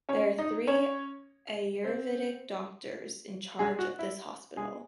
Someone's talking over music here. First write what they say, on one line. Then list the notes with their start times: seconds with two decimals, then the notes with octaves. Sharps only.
There are three Ayurvedic doctors in charge of this hospital.
0.09 C#4 C#5
0.39 D#4 D#5
0.67 C#4 C#5
1.84 C4 C5
3.59 G#3 G#4
3.79 F#4
3.99 E4
4.57 G#3 G#4